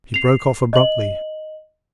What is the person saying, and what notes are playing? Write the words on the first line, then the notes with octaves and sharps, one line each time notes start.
He broke off abruptly.
C7 F7
D#5 F#7